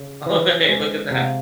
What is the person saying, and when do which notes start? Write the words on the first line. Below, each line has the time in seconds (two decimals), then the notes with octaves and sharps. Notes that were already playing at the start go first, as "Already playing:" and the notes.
Oh, hey, look at that.
Already playing: C#3
0.26 E3 B4
0.64 C#5
0.68 G#3 C5
1.10 C3 F5
1.18 F#5
1.25 F5